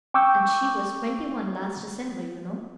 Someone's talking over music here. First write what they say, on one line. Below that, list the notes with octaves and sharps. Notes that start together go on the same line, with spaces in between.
And she was twenty-one last December, you know.
G5 C#6 D6 E6 G6